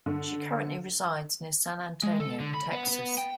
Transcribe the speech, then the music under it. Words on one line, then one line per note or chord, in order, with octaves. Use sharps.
She currently resides near San Antonio, Texas.
D3
G#3
A4
D3
B5
B3
B3
G5